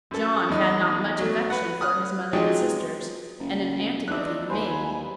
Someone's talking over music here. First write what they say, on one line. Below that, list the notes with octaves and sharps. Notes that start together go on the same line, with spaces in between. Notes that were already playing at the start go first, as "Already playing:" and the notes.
John had not much affection for his mother and sisters, and an antipathy to me.
F#2 A4
E2 D#4
F#3 A3
B4 F#5
D#6 F6 F#6
F3 F#3 G#3 D#4 G4 D#5
F#1
E2 D4 D#4 E5 F#6
D#2 B4 C5 G#5 B5